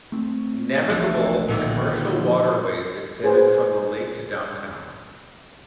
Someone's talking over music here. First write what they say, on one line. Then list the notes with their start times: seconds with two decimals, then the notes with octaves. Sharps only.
Navigable commercial waterways extended from the lake to downtown.
0.12 A3 C4
0.89 D#1 B1 E3 F3 A3 D4
1.48 A#2 D3 D#3
2.19 F3
3.24 G#4 B4 C5